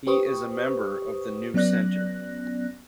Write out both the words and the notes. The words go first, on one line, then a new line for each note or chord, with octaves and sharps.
He is a member of the New Centre.
G4 B4 C5 C#6 D#6
F#3 B3 C#4 D5 F#6 A#6